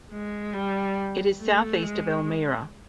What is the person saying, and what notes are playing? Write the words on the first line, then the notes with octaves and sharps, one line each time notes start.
It is southeast of Elmira.
G#3
G3
A3
G#3